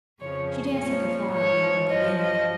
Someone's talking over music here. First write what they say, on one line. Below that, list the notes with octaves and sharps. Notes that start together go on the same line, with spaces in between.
She danced like a flower blown by the wind.
F2 C#3 F3 C#5
G#4
A#2 F3 C#5
G#2 F3 C#5
G2 F3 D#5
D#5